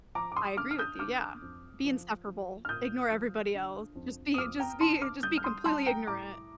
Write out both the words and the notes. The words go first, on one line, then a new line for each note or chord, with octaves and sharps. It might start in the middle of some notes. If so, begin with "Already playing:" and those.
I agree with you. Yeah, be insufferable, ignore everybody else. Just be just be just be completely ignorant.
F3 A#5 D6
D6
C6 D#6
D3 D6 F6
F6
D#6 G6
D3 D6 F6
F2
F3
F3
F6
A#2 D#6 G6
F3
D3
F2
D#6
F2 D6 F6
G5 A#5
D3 A5 C6
D6 F6
G3 D#6 G6
F6
C6 D#6
G3 A5 C6
G5 A#5
A2 A#5 D6